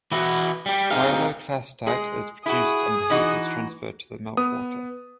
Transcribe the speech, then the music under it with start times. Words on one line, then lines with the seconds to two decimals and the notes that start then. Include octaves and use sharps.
Hyaloclastite is produced and the heat is transferred to the meltwater.
0.12 E3 B3 E4 F#4
0.66 G3 G4
0.91 C4 D#4 G#4 F5
1.87 G#3 G#4
2.46 E4 F#4 G#4 D#6
3.10 E3 D#4 F#4
4.37 B3 D#6